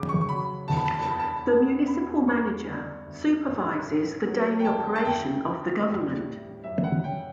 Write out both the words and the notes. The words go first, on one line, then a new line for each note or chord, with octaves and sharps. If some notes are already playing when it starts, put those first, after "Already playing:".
The municipal manager supervises the daily operation of the government.
Already playing: C#2 C#3 D6
C#6
C#6
F#3 B5
E2 A5
B5
A5
B5
A5
E2 B5
A5
B5
A5
E1
B3 B5
G2 C#6
D3
D2
A1
A1
F#3
G5
D2 A5
A5
D2 G5
D2
G3
A2
F#2 E5
F#5
C#4 G5